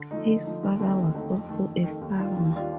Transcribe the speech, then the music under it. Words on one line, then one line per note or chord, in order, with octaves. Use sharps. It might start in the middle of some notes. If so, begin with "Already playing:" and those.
His father was also a farmer.
Already playing: D3
F3 A3 D#4
D3
F3 A3 D#4
D#2
D3 A3 C4 D#4
D#2
D3 A3 C4 D#4
F2
D#3 A3
F2
D#3 A3
D#2
D#3 G3 D4 F4
D#2
D#3 G3 D4 F4